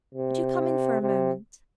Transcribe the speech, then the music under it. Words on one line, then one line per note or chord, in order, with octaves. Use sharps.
Would you come in for a moment?
C3
C3